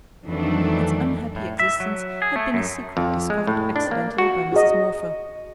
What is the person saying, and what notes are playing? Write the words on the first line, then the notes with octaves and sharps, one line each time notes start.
Its unhappy existence had been a secret discovered accidentally by Mrs. Morpher.
F2 D#3 E3 F#3 A3 D4
A2
E5
F#3
G#4
A3
F#2
F2
G#3
A2
D4
A#3
F#4
F#4 G#4 D#5